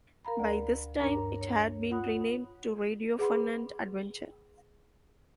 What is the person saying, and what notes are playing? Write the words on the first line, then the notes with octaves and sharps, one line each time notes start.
By this time it had been renamed to Radio Fun and Adventure.
A#4 F5 A#5 B5
D2 D5
G2 D4 A#4 C#5 A#5
C#5
F4 C#5 F#5 B5 D#6 F#6
G#4 B4 F#5 B5 C6